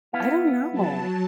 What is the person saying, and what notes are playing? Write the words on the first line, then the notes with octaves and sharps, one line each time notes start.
I don't know.
B3 E4 F5
F#3 A5